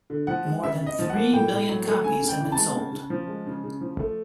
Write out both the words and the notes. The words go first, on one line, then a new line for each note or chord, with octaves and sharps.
More than three million copies have been sold.
D3
F3 F#5
G#3
C#3 E5
C#3
D#5
F3
F#5
A#3
A2 G5
A2
F#3
A3
C#3 G#5
C#3
G5
E3
G#3 A5
C#3
C#3
F3
G#3
C#3
C#3
F3
A3